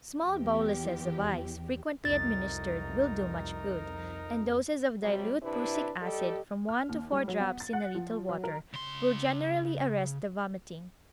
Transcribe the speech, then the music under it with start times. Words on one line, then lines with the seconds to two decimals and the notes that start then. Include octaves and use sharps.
Small boluses of ice frequently administered will do much good, and doses of dilute prussic acid, from one to four drops in a little water, will generally arrest the vomiting.
0.22 E2 G4
2.05 C2 F2 D#4 A#4 A6
5.03 C3 F#3 G3
5.43 C3 D4 E4 B4
6.01 G3 G4 A4 D#5
6.69 F6
6.89 D#2
7.12 G3
7.28 F#3
7.40 B3
7.60 A6
7.73 F#5
7.95 F3
8.29 F#3
8.44 A#4
8.73 C#3 C6